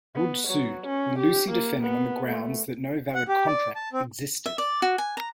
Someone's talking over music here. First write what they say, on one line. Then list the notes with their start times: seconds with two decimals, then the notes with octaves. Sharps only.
Wood sued, with Lucy defending on the grounds that no valid contract existed.
0.15 B3
0.47 F#3
0.86 C#4
1.18 G4
1.51 A#3
1.82 B3
2.27 A3
3.15 F#5
3.28 G4
3.47 D5
3.75 A5
3.93 C4
4.46 E5
4.58 D5
4.82 F#4
4.98 G#5
5.17 A#5